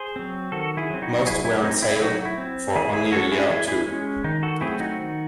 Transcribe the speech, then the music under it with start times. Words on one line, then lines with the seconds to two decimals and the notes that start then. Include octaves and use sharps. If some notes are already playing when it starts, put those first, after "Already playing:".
Most were on sale for only a year or two.
Already playing: G#4 C5
0.16 F#3 C4
0.52 D#3 F#4 A4
0.77 E4 G#4
0.90 F#3 C4
1.02 D#4 F#4
1.27 F#3 E4 G#4
1.45 E4
1.63 C4 D#4
1.83 E4
1.97 E4
2.01 F#3 D#4 F#4
2.25 E4
2.38 C4
2.76 E3 E4 G#4
2.94 E4 G#4
3.06 G#4
3.12 G#3 C#4 F#4 A4
3.32 E4 G#4
3.49 E3 E4 G#4
3.68 E4 G#4
3.87 G#3 C#4
4.24 D#3 D#4
4.43 F#4 A4
4.61 F#3 A3 C4 E4 G#4
4.80 D#4 F#4
4.99 D#3